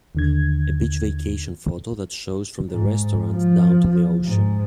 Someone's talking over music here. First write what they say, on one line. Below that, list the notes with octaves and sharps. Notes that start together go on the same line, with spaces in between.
A beach vacation photo that shows from the restaurant down to the ocean.
D#2 D3 G#6
G#2
F3
G#2